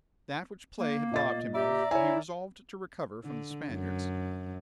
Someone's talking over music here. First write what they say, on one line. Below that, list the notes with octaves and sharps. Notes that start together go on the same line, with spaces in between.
That which play had robbed him of, he resolved to recover from the Spaniards.
A#3
A#2 D#5 A6
G4 D5 E5 A#5
E4 C#5 E5 G#5
D3
F#2